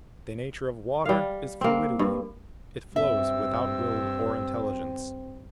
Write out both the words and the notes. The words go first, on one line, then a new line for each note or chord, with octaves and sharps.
The nature of water is fluidity; it flows without will or intelligence.
G3 F5
A#3 C4
G2
G2 C4 E5 E6